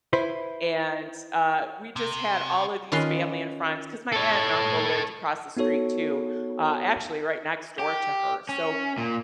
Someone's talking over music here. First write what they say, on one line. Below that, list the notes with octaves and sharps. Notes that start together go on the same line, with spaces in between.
and, uh, we just had all of these family and friends, 'cause my aunt and uncle lived across the street too, uh, actually right next door to her, so
E4 B4 C5
C3
D#3 C#4 F4 B4 C6
A4 C#5
B3 D#4 F#4 A4 C#5
G4
C#4
A#2